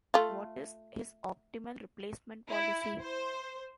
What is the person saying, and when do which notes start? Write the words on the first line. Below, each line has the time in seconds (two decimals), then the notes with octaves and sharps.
What is his optimal replacement policy?
0.14 A3 F4
2.50 E4
3.01 C5